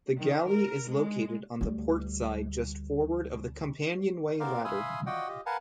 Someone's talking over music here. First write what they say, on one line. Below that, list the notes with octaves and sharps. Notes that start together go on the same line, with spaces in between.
The galley is located on the port side just forward of the companionway ladder.
D#3
A#4
G#3
D2 G3
B3 C4 A#4 C5 D5 F5
E5 F5 G#5 B5 C6 D#6
F4 F#4 D5 D#5 F#5 G5
F4 G4 D#5
A#4 B4 F5 F#5 G#5 A5